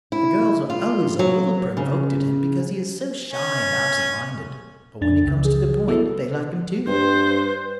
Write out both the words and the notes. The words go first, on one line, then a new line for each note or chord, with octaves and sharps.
The girls are always a little provoked at him because he is so shy and absent-minded, but when it comes to the point, they like him too.
E4
F4
F#3
C#3
C#4
F2 D4 A6
C#2 C#3
G#4
B3 E4 F#4 A4
G2 B4 C5